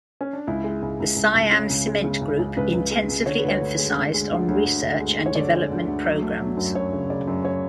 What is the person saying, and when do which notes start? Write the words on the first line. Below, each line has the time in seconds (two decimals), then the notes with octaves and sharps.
The Siam Cement Group intensively emphasized on research and development programs.
0.21 C#4
0.33 D4
0.47 C#2 E4
0.64 G#3
0.82 C#2
1.00 C#2
1.16 C#2
1.35 C#2
1.52 C#3
1.70 C#2
1.87 G#3
2.04 C#3
2.21 C#2
2.39 C#2
2.57 C#2 B4
2.74 C#2
2.91 G#3
3.08 C#2
3.26 D3 C#5
3.38 B4
3.44 D2 C#5
3.61 D2
3.79 G#3
3.96 D3
4.14 G#3
4.30 D2
4.48 D2
4.65 D2
4.83 D2
5.00 G#3
5.19 G#3
5.26 C#5
5.35 D3 D5
5.53 G#3
5.71 D2
5.87 D2
6.05 F#3
6.22 A3
6.40 F#3
6.57 F#2
6.75 F#2 C#5
6.93 C#3
7.10 C#3 D5
7.28 F#2
7.45 C#5